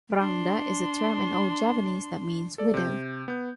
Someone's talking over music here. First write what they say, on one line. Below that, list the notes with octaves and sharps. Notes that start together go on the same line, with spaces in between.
Rangda is a term in old Javanese that means "widow".
D4 C6
A4 D5
C3 G6
B3 G6